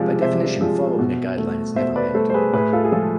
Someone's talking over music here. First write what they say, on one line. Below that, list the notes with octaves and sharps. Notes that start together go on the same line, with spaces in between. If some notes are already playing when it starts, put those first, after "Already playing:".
By definition, following a guideline is never mandatory.
Already playing: C3 F3 G#3 D5 F5
C3 C5 E5
F3 G#3
B2
A3
B2 C5 E5
B4 D5
A3 A4 C5
C5
G#4 B4
A2 G#4 B4
F4 A4
G#4
F3 G#3 F4 A4